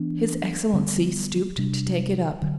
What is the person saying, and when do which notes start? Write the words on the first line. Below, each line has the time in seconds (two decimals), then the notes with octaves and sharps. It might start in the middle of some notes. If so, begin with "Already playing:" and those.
His Excellency stooped to take it up.
Already playing: E3 B3 D4
0.74 D3 G3 B3
1.58 C3 G3 D4
2.42 D3 F#3